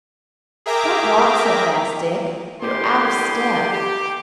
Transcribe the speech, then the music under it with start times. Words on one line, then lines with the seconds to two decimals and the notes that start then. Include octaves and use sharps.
Don't walk so fast, Dick; you're out of step.'
0.66 G#4 A#4 E5 G5 A#5 D6
2.61 D3 E4 G4 G#4 C6
3.71 G4